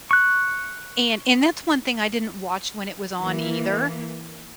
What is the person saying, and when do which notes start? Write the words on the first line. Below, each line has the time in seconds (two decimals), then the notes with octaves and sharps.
and and that's one thing I didn't watch when it was on either,
0.11 C#6 F#6
3.22 E3 A#3